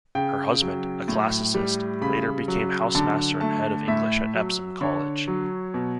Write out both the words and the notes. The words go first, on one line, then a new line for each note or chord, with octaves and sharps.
Her husband, a classicist, later became housemaster and head of English at Epsom College.
C#3 G5
F#3
A2
G3
C#3 B5
F#3
D3 A5
A3 A5
A2 E5
F#3
D3 C#5
F#3
B2